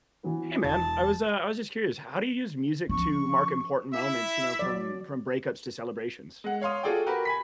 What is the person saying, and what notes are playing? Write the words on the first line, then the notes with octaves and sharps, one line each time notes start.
Hey, man. I was, uh, I was just curious, how do you use music to mark important moments, you know, from from breakups to celebrations?
E3 F#3 B3
E1 A5
F3 C#4 C#6
E4 E5
F#3 D5
G#3 F#5
C#5 F5 C6 D#6
F4 F#4 G#4 A4 D5 G5
F#4 G4 A#4 B4
G#5 B5 B6